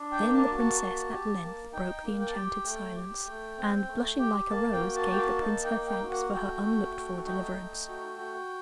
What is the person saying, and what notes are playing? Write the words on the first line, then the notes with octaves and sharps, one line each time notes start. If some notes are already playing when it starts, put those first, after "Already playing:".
Then the princess at length broke the enchanted silence, and blushing like a rose, gave the prince her thanks for her unlooked-for deliverance.
Already playing: D4
G5
A#3
A5
F#4
A5
A#3
G4
A#3
D#4 G5
A#3
G5
A5
G4 G5
A3
G4
A3
C4
A3
G4
A#3 A5
G5
F#4
A5
A#3 G5
A5
D#4 A5
G5
A#3
G5
F#4
F#5
A3 G5
F#4
A3
D#4 G5
A3
F#4
F#4